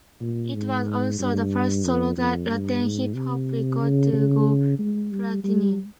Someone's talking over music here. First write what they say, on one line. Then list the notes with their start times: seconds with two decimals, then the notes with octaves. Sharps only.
It was also the first solo Latin hip hop record to go Platinum.
0.21 A#2
0.54 G#2
1.19 G2
1.85 F2
2.18 F2
2.50 G2
2.82 G#2
3.15 C3
3.80 C#3
4.13 C#3
4.79 G#3
5.11 G3
5.44 G3